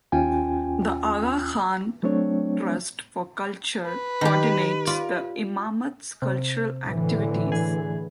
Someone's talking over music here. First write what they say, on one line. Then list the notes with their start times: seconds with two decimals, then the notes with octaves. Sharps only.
The Aga Khan Trust for Culture co-ordinates the Imamat's cultural activities.
0.12 D#2 C#4 F4 G5 G#5
2.03 F#3 A3 C4 D4 C#5
3.85 B4
4.21 D#3 G4
4.87 F4 D5
6.22 C3
6.85 A2 D3 E3
7.52 G#4